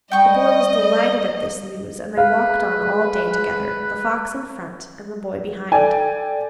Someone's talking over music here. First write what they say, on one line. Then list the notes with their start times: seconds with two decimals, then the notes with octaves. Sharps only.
The boy was delighted at this news, and they walked on all day together, the fox in front, and the boy behind.
0.12 G3 D#5 G5 C#6
2.18 G#3 B4 F5
5.72 A4 D5 G5 G#5